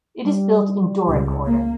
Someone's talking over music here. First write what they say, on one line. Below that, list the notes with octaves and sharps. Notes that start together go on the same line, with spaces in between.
It is built in Doric order.
G3
C#2
A#3